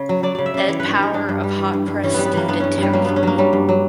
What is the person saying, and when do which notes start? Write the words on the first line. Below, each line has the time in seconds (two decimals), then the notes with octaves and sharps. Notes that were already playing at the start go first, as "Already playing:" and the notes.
Ed Power of "Hot Press" deemed it "terrifying".
Already playing: C#3
0.09 F#3
0.23 F#3 D5
0.35 C#3 D5
0.46 E5
0.54 C#3 D5
0.68 E3 C#5
0.80 G2 B4
0.91 G4
0.98 G2 A#4
1.13 G2 D4
1.29 G2
1.43 G3
1.58 E3
1.73 G2
1.88 G2
2.04 E3 C#4
2.14 G3 B3
2.25 B3
2.33 E3 A#3
2.48 G2 B3
2.60 G2 C#4
2.78 G2 G3
2.93 F#3 A#3
3.05 G2 B3
3.16 C#4
3.23 F#3 A#3
3.38 F#3 G3
3.53 G2
3.69 F#3